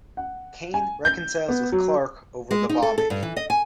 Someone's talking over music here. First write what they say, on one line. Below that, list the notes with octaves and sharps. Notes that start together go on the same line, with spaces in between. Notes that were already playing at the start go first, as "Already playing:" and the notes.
Kane reconciles with Clark over the bombing.
F#5
G#5
G6
B3
F#3
G#3
D#4
A4
A4
G2
E3
D#5
G#5